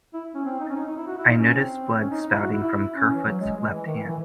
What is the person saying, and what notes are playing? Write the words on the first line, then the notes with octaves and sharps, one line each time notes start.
I noticed blood spouting from Kerfoot's left hand.
E4
C#4
C4
D#4
C#4
D#4
D#4
E4
F#4
E4
D#4
C#4
C4
C#4
D#4
D#4
E4
F#4
E4
E4
C#4
E3
F#3
G#3
G#3
E3
D#3
E3
E3